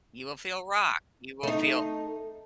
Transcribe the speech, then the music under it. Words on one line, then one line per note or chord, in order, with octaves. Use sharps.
You will feel rock, you will feel
A3 D#4